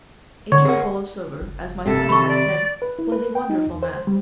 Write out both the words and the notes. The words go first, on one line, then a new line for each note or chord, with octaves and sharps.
Adrian Borlsover, as my father had said, was a wonderful man.
D3 C#5
G#4 A#4 F#5
F#1
F2 C3 C4 A4
D#3 B5 C#6
D5
B4
E4
B4
G5
D#4
E2
C5
G3